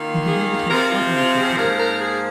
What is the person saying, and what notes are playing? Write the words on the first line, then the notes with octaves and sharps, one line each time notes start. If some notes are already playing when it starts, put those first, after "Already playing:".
Die Gebühr beträgt zwei Euro pro Paar.
Already playing: D#3 A#3 F4
G#4
C3 F3 C4 F4 A#4
F4
F4
G#4
G#2 F3 A#3 A#4
A#4
G#4